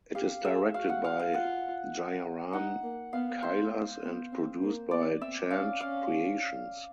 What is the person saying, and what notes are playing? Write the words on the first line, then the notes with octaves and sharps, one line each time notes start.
It is directed by Jayaram Kailas and produced by Chand Creations.
G4 F5
G#4 E5
F#4 F5
F#5
F5
F5
F4 F#5
D#4 F#5
A#3
B3 F5
C5
B3
C4
A#3
B3 D5
C4 E5
C#4 F5
C#4 F5